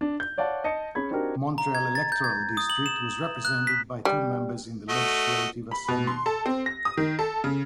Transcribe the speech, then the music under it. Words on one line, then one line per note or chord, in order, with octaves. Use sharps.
Montreal electoral district was represented by two members in the Legislative Assembly.
D4
G6
C#5 D5 F5 F#5 A5
D#5 A5 C#7
C#4 G#4 B5 G#6
C4 D4 D#4 F#4 G4 A#4
A#5
G#6
A6
G6
G#6
D#6
F#7
E7
F#6
B6
G3
A3 F#4 D#5
B5
B2
C6
A4
C4
A#6
D#6
D#3
A4
C#3